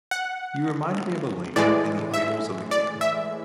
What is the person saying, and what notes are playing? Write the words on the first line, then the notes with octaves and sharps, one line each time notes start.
You remind me of Elaine in the ‘Idylls of the King’.
F#5
A2 E3 G#3 D5
E5
D5
E5